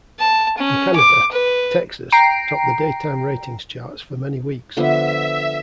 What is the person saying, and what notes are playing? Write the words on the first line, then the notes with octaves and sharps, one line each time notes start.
In Canada, "Texas" topped the daytime ratings charts for many weeks.
A5
C#4
D6
B4
G5 A#5 C7 D7
D3 F3 B3 E5